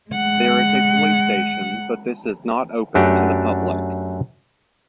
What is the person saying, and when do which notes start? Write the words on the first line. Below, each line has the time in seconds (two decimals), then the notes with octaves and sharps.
There is a police station but this is not open to the public.
0.10 G#3 F#5
2.95 F#2 A3 D4 F#4 G4